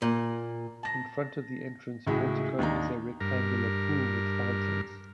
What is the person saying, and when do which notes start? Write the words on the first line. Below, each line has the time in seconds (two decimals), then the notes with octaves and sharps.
In front of the entrance portico is a rectangular pool with fountains.
0.02 A#2
0.83 A5 A#6
2.07 C#2 A2 G#3 E4 F#4
2.59 D#2 D4 D#4 A#5
3.20 G2 A#4